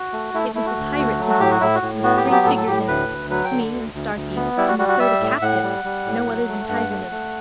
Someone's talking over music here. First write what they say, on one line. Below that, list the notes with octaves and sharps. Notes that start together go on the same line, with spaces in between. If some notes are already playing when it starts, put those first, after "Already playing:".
It was the pirate dinghy, with three figures in her, Smee and Starkey, and the third a captive, no other than Tiger Lily.
Already playing: F#4
A3
A3 E4
A3 E4
F#4
D2
A3
F#3
F#4
A2 G4
F#4
A2 E4
F#4
A2
B3 F#4
G4
F#3
G4
A2 A4
A4
A2 G4
D2 B4
D2
F#3 B4
G5
D3
D2
D2
D2
B3
G3 E4
F#4
G3 F#4
F#4
G3 E5
A2
A2 F#5
G3
G3
A2
F#3
A3
G2 F#5
A3
A3